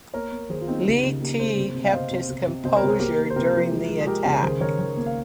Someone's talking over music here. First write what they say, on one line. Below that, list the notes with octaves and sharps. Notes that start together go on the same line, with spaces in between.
Li Te kept his composure during the attack.
A#3 A#4 C#5
A#3
D#3 G#4 C5
F4
A#3 C4 D#4
C#3 D#4 G4
C#3
A#3 G4 A#4
A#3 G#4 C5
C3
C3
F5
C3 C5 D#5
C3
C3
C3
C3 C5 D#5
A#4 C#5
C3
G#4 C5
A#3 G4 A#4
A#3
C5
C3 G4 A#4
F3
G#3
G#3
G#4
G#3 G4 A#4
C#3 G4 A#4
D#3 G#4 C5
D#3 A#4 C#5
D#3
A#3
F5